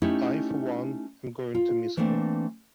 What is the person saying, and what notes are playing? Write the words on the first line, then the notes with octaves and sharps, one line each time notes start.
I, for one, am going to miss her.
A3 C#4 D#4 E4 G4
F4
E3 A3 A#3 C4 D4